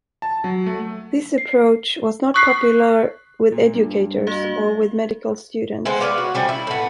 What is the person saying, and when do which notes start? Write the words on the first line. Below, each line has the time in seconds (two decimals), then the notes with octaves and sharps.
This approach was not popular with educators or with medical students.
0.22 A5
0.44 F#3
0.66 A3
1.38 C7
2.34 C#6 D#6 F#6 B6 C7
3.52 A#2
3.74 G2
4.27 A#3 F#4 F5
5.85 G#3 B3 C5
6.00 B4 C#5 D5 F5
6.18 F#4
6.34 F3 G3 C#4
6.49 E4
6.67 A2 B3